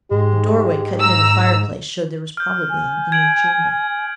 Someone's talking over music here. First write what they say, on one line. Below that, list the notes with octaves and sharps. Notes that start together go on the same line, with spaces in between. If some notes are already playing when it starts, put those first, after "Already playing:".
A doorway cut near the fireplace showed there was probably an inner chamber.
G#2 G#3 G4
A#5 E6
F6 G6
G#5
G#6 D7 F#7